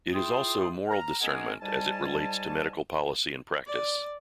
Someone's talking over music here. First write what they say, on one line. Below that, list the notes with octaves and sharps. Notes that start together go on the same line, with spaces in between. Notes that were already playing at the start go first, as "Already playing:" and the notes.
It is also moral discernment as it relates to medical policy and practice.
E4 F4 G#4 G5 C6 D#6
A#5 F6
G#3 B3 C#4 G#4 A#4 F#5
G#2 G3 G#5 A5
D5